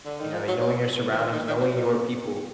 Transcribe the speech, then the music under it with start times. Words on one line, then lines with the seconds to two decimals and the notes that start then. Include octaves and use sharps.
you know, y knowing your surroundings, knowing your people,
0.06 D3
0.20 D#3
0.33 F3
0.48 F#3
0.61 F#3
1.11 F3
1.18 D#3
1.33 D#3
1.48 D#3
1.61 F#3
1.75 B2
1.90 A#2